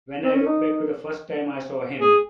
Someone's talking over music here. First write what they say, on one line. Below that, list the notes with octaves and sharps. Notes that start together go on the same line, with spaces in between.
When I look back to the first time I saw him!
C4
C#4
D#4
G#4